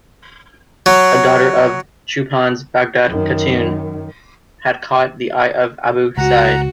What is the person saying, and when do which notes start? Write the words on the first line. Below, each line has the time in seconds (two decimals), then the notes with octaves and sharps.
A daughter of Chupan's, Baghdad Katun, had caught the eye of Abu Sa'id.
0.86 F#3
3.07 F#2 D#3
6.17 C#2 F#4 F#5 A#5